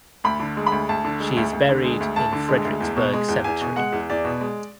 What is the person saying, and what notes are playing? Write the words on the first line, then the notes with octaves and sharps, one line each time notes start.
She is buried in Frederiksberg Cemetery.
D2 B5
D3
G#3
B5
D2
D2 A5
D3
G#3
D2
D2
D3
G#3
D2
D2 A5
D3
G#3
D2
E2
B2
G#3
E2
E2 G#5
B2
G#3 F#5
E2
E2 D5
B2
G#3